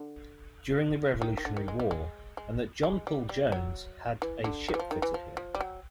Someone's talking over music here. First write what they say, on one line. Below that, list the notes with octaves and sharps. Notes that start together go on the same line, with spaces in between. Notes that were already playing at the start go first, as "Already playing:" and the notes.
During the Revolutionary War, and that John Paul Jones had a ship fitted here.
Already playing: D3
D#3
D#3
D3
D#3
G#3
G3
G#3
G#3
G#3
G3
G3
F#3
E3
D3
D#3
E3
F3
D#3
E3
F3
F3
G3
F#3